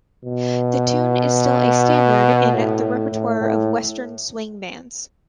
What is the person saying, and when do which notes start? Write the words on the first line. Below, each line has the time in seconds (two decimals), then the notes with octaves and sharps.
The tune is still a standard in the repertoire of Western swing bands.
0.25 B2
2.54 A2
3.12 A2
3.41 A2